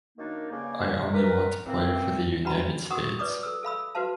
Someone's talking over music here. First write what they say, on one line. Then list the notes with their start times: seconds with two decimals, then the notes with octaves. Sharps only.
I only want to play for the United States.
0.17 F#2 D#3 A#3 D4 D#4
0.50 G2 C#3 A#3
0.98 G#2 C3
1.13 A#4 B4
1.67 E3 A#3 C4
2.45 D4 F#4 B4 F#5 A#5 B5
2.90 F#4 A#4 F#5 C#6 D#6
3.19 B4 D5 D6 D#6
3.43 A4 B4 E6
3.63 A4 F5 B5 E6
3.95 F#4 B4 C5 F5 A5